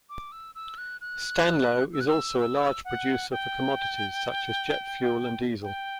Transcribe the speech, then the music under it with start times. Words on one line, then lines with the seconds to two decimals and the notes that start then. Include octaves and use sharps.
Stanlow is also a large producer for commodities such as jet fuel and diesel.
0.10 D6
0.32 E6
0.55 E6
0.78 F#6
1.01 F#6
1.93 E6
2.01 F#6
2.08 E6
2.39 E6
2.85 F#5
3.32 G5
5.63 G5